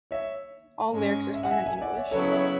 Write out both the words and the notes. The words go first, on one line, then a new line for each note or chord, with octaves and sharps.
All lyrics are sung in English.
C#5 E5
G#2 G#3 C#4
E5
F#5
E5 G#5
E5 G#5
D5 F#5
C#5 E5
C#3 F#3 B3 E4 A4 C#5
C#5 E5